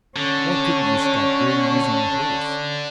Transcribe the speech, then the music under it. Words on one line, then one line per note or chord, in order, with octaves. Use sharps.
Why couldn't you stop ill-using the horse?
D3 C#4